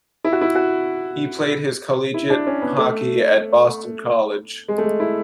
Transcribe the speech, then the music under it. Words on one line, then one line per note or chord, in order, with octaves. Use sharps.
He played his collegiate hockey at Boston College.
E4
F#4
E4
F#4
E4
D4
C#4
B3
A3
G#3
A3
G#3
E4